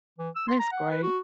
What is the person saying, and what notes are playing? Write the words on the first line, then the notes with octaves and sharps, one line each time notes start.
That's great.
E3
E6
C6
A#5
F#5
B4
F#4